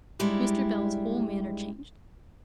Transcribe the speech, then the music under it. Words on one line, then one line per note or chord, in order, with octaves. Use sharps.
Mr. Bell's whole manner changed.
G#2 G3 G#3 D4 E4 G4